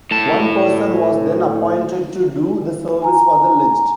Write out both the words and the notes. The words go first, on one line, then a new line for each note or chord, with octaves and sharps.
One person was then appointed to do the service for the legd.
A2 A5
G#5 A#5